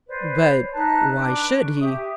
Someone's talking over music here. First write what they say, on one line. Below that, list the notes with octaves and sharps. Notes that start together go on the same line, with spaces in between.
"But why should he?"
B4 C5 D5
C#5
D#4 B4 A5 F#6
D4 B4
C#6
G4 E5 D#6